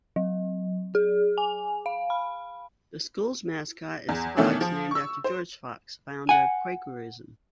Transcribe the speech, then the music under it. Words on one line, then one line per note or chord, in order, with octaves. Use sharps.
The school's mascot is the Fox, named after George Fox, the founder of Quakerism.
F#3
G#4
G#5
F5
B5
E2
B2 D#3 E3 A3 C#4 D4
F3
C#6 E6
C5
F#5 G#5